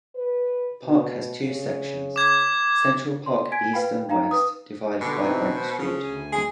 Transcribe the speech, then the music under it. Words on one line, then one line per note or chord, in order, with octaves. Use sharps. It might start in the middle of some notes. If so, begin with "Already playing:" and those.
The park has two sections, Central Park East and West divided by Bank Street.
B4
B2
C#3
D6 G#6
C6
G#5 G#6 B6 D7
B4 F5 G5 B5
D#4 F5 G5 A#5
B4 D#6
B2 D3 G4
E3 C4 D#4
C5
C#3 F3
D2 G#5
G#4